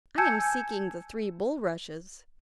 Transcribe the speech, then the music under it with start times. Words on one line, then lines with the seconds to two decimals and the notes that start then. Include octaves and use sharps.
'I am seeking the three bulrushes.
0.18 G#5 A5 E6 G6 G#6 C#7